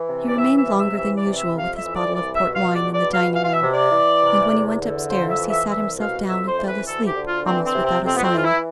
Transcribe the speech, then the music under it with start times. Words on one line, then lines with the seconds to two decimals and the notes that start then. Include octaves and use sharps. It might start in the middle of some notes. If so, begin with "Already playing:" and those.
He remained longer than usual with his bottle of port wine in the dining-room; and when he went upstairs, he sat himself down and fell asleep, almost without a sign.
Already playing: E3
0.08 C3
0.28 D5
0.38 E3 E5
0.58 E5
0.67 C3
0.78 E5
0.97 E3 E5
1.16 D5
1.26 C3
1.32 D5
1.36 E5
1.56 F2 F5
1.76 E5
1.86 E3
1.95 D5
2.15 C2 D5
2.34 E5
2.45 B2
2.54 F5
2.74 E2 D5
2.93 D5
3.03 B2
3.13 F5
3.32 E3 F5
3.44 F5
3.52 E5
3.62 C3
3.72 D5
3.91 E3
4.21 C3
4.50 E2
4.80 D3
5.10 F2 C5
5.29 E5
5.39 E3
5.49 E5
5.68 C2 E5
5.98 B2 F5
6.27 F2 E5
6.47 C5
6.57 E3
6.66 B4
6.86 D2 A4
7.06 G4
7.16 D3
7.26 F4
7.45 E3 C4
7.65 C4
7.75 C3
7.85 C4
8.05 F2 C4
8.16 B3
8.24 C4
8.34 E3 F4
8.44 E4